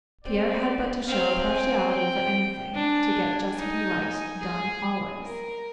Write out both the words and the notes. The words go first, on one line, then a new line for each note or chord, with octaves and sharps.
Pierre had but to show a partiality for anything to get just what he liked done always.
C4 D5
C4 F5
G#5
G5
D4 G#5
D#4
G#4
A#4